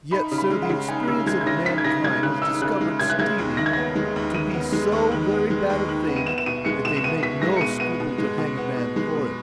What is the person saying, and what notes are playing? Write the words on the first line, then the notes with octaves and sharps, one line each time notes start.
Yet, Sir, the experience of mankind has discovered stealing to be so very bad a thing, that they make no scruple to hang a man for it.
D#4 B5
C#3
B5
G#3
F#5
C#3
D#4 G#5
C#3 E6
G#3 G#6
G#6
C#3 A#6
D#4 B6
G#6
C#3 A#6
G#3 G#6
C#3 F#6
D#4 E6
C#3 F#6
G#3
C#3 G#6
F#6
G#3 G#6
D#2
D#3 A#6
G#6
B3 A#6
G#3
D#2
D#3 D#7
B3
G#3
D#2
D#3
B3
G#3
D#2
D#3
B3
D#7
B3 E7
E7
B2 D#7
G#3 C#7
B2 E7
E7
B3 D#7
B2 B6
G#3 A#6
C#7
B2 D#7
B3 D#7
B2
G#3
B2
B3
B2
G#3
B2